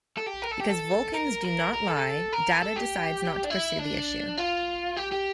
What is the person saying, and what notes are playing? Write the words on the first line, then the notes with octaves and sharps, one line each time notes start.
Because Vulcans do not lie, Data decides not to pursue the issue.
A4
G4
A#4
A4
G4
A4
A#4
A#4
A#4
A4
A#4
A4
G4
D4
E4
D4
F4
G4
G4